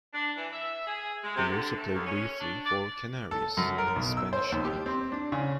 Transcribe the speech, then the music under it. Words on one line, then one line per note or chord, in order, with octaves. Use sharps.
He also played briefly for Canarias in the Spanish league.
D4
E3
E5
G#4
G#3
C3
D3
A3
D#2
C#4
D4
D5
A4
F#2
A#4
B1
E6
C5
D#2
G4
C4
D4
C#3